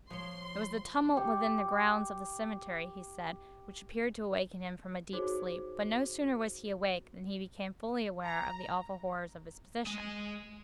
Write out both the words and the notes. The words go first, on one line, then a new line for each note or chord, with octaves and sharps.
It was the tumult within the grounds of the cemetery, he said, which appeared to awaken him from a deep sleep, but no sooner was he awake than he became fully aware of the awful horrors of his position.
F3 C#5 C6
G4 G5 D6
D#4 F#4 G#4 C5 C#5 D6
A#5
G#3 D#5